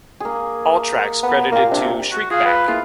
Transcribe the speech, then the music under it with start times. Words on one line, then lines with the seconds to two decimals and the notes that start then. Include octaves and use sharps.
All tracks credited to Shriekback.
0.20 A#3 G#4
1.23 B3
1.52 A#2 A#3 G4
1.71 C3 D4
2.12 F#4
2.31 F4 G#4 F5
2.45 B4
2.68 A#3 E4 F4 G#4